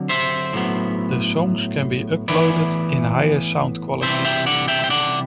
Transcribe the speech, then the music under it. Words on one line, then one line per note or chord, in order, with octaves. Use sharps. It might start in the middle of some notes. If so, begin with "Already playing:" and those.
The songs can be uploaded in higher sound quality.
Already playing: D3 F#3 C4
C5 E5
A2 F#3 B3
A2 E3 B3 B4 D5
C3 E3 G3 C5 E5
E5 G5
D5 F#5
E5 G5
G5
D5 F#5